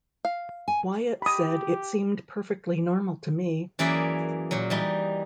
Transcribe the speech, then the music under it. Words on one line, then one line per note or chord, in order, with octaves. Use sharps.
Wyatt said It seemed perfectly normal to me.
F5
G#5
G4 B5 D#6
F#2 E3 A#3 G#4 D5 E5
A#2 F#3
E3 G3 D#4